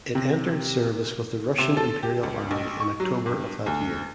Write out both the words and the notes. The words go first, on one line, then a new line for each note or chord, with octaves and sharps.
It entered service with the Russian Imperial Army in October of that year.
C3
C3
A4
G4
C#2
A1
C#6
F#3
G2
D2